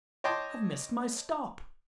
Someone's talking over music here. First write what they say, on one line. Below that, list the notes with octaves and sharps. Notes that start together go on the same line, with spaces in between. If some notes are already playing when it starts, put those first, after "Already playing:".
I've missed my stop.
C#5 D#5 G5 A5 C6 D6